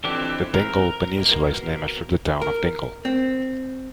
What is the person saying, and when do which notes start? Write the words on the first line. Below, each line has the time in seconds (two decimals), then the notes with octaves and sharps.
The Dingle Peninsula is named after the town of Dingle.
0.04 F2 D3 E3 C4 D4 G4
0.55 A#4
1.18 B2 A#3
2.42 A#4
3.05 C4